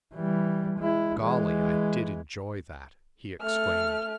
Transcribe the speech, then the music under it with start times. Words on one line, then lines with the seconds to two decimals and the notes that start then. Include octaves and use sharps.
"Golly, I did enjoy that," he exclaimed.
0.15 E3 G3
0.79 G#3 E4
1.20 E3 G#3
3.42 A3 F6